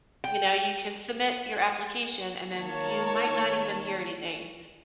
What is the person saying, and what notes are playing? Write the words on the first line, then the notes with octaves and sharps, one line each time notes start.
you know? You can submit your application, and then you might not even hear anything.
G5
D#3 A#3 C#5 A5